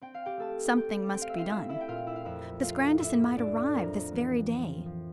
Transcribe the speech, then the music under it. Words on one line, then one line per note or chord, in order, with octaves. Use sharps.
Something must be done; Miss Grandison might arrive this very day.
C4 G5
F5
G4 G5
A3 A4 A5
C4 G4 G5
C4 G5
F5
E5
F4 F5
A3 E4 E5
E4 E5
G5
A#2 F4 F5
E4 E5
F5
F2 E4 E5
A3 F4 F5
A2 E4 E5
A2 D4 D5
F2 A#4
E3
F3
F3